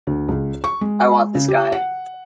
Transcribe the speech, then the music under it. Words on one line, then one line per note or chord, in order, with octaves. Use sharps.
I want this guy.
D2
C#2
C#6
G#3
C#3
G4
F#5